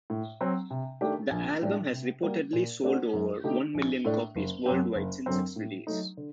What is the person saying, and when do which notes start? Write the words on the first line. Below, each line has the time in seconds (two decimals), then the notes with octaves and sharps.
The album has reportedly sold over one million copies worldwide since its release.
0.10 A2
0.41 F#3 C4
0.70 C3
1.01 D#3 A3 D4 G4
1.31 A#1
1.61 A2 G3 D4
1.92 C3
2.23 G3 A#3 F#4
2.53 A#2
2.83 A3 D4 F#4 C5
3.13 F#2
3.44 D3 A3 D#4 G4
3.75 A#1
4.05 A2 A3 D4
4.35 F#1
4.65 F#2 F#3 C4 G4
4.96 F#1
5.26 F#2 D3 F#3 C4
5.56 A2
5.87 F#3 A3 D#4
6.17 D3